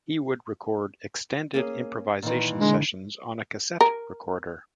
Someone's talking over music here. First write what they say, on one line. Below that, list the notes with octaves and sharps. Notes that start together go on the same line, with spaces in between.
He would record extended improvisation sessions on a cassette recorder.
A#3 C#4 G#4
A#2 D#3 E3
D3 G#3 D4
A#4